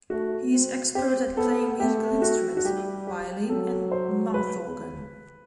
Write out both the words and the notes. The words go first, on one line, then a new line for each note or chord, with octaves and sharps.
He is expert at playing musical instruments: violin and mouthorgan.
A3 F#4
C4
C4 G4
B3 A4
A3 G4
F#4
F#4
G3 G4
G4
F#3 A4
C5
B4